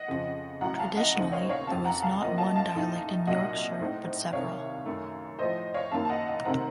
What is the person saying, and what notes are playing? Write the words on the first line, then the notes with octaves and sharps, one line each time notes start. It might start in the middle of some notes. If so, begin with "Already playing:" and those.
Traditionally, there was not one dialect in Yorkshire but several.
Already playing: D#5 F#5
F2 C#3 F3
A1 A2 F#3 A3 F#5 A#5
F5 A5
D#5 F#5
D#2 C#3 A3 C4 D#4 D#5 F#5
C#5 F5
C#5 F5
F2 C#3 F3 F5 A5
F#5 A#5
F5 A5
A1 A2 F3 A#3 D#5 F#5
F5 A5
F5 A5
A#1 A2 A3 D#4
C2 A#2 F#3 D#5 F#5
A2 A3 C4 D#4
C2 C3 D#3 C#5 F5
F#2 D#3 A3
A2 F3 A3 C5 D#5
C#5 F5
F#2 D#3 A#3 D#4 F5 A5
A5
D#5 F#5
D#5 F#5
C3 D#3 A3 C4 F#5 A#5